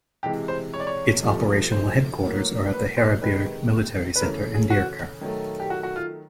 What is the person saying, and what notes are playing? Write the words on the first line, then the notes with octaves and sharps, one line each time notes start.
Its operational headquarters are at the Haerebierg Military Center in Diekirch.
C3 E3 G#3 G4
C5
C#5
D5
C#5
C3 F3 A3
C5
A2 F#3 A#3
B4
C5
C3 D#3 G#3 B4
B4
C#3 E3 A3 A#4
G#4
F#4
D#3 F#3 A3
G4
F#4
F#4
F4